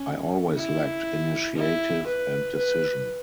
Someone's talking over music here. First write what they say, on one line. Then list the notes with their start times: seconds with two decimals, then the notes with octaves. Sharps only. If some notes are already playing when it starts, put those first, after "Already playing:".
I always lacked initiative and decision.
Already playing: C#4
0.56 E4
1.56 E4
2.07 B4
2.56 B4